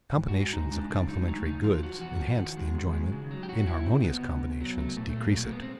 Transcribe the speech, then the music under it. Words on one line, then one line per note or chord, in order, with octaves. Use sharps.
Combinations of complementary goods enhance the enjoyment; inharmonious combinations decrease it.
G#2
F#4
G#3
F#4
G#3 D#4
G#3 D4
C#3 D4
F#3 D#4
A3 D#4
C#3 D#4
F3 F4
F3 F#4
E2 F#4
F3
D#3
G#3
D#3
G#3
C#3
F#3
G4
F#3 F#4
F#3 E4
C3 C4
C3 B3
C3
C3
F#3
A3
A#2 A3
A3
F#3
A#3
B2 A3
A#3
G#3 B3
C4